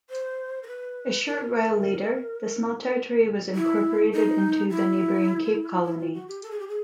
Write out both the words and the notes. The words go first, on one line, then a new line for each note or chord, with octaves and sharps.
A short while later, the small territory was incorporated into the neighbouring Cape Colony.
C5
A#4
B4
A#4
E4
D#4
E4
E4
F4
F#4
G4
A4
G#4
G4
G#4